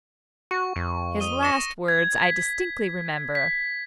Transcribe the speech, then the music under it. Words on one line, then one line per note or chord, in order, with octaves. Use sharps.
His last words I distinctly remember.
F#4 C#6
F2
D#6 D#7 G7
A#6 C#7 E7
G#6
B6
B6